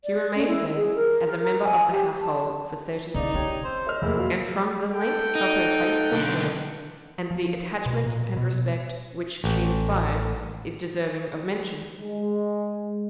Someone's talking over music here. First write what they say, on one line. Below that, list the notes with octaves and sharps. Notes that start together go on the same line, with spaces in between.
She remained there, as a member of the household, for thirty years; and from the length of her faithful service, and the attachment and respect which she inspired, is deserving of mention.
D5
C#4
E4
G#4
A#4
A#5
G#5
G4
A5
C#3 D#4 D5 F5 D6
C4 G4 C#5 D#5
C5 E6
C#5 D#5 F6
F1 A#3 E4 G#4
F4 F#4 F5 A#5
A4 F#5 G5
D#4
B1 D3
F3
B2
A#2
B2
A1
G#3